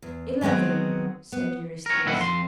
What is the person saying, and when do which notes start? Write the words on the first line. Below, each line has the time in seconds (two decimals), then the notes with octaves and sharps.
"Eleven," said Eurystheus.
0.02 E2
0.41 D#3 F#3 G#3 B3 C4
1.32 B3
1.86 A#4 C#5
2.06 D2 A#2 D#3 F#3 E4 F#5
2.18 F2 C6